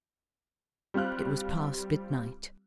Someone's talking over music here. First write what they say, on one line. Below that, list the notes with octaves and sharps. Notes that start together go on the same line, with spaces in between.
It was past midnight.
G3 C4 F4 F6 F#6